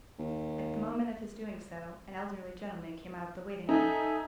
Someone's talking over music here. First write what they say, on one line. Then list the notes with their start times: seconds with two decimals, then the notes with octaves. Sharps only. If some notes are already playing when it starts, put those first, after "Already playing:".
At the moment of his doing so, an elderly gentleman came out of the waiting-room.
0.19 D#2
3.69 D#4 A4 E5 G#5